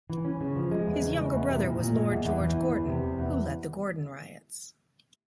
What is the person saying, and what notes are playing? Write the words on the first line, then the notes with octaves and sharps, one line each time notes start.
His younger brother was Lord George Gordon who led the Gordon Riots.
E3
C#4
C#3
F3
G#3
E2
C#3
G#3
E2
C3
A#2
A#2
G#3
E2
E2
E3
E2
E2
C3
E2
E2